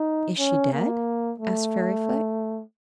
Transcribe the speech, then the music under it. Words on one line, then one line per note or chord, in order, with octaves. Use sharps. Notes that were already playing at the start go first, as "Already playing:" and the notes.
"Is she dead?" asked Fairyfoot.
Already playing: D#4
C#4
A#3
A3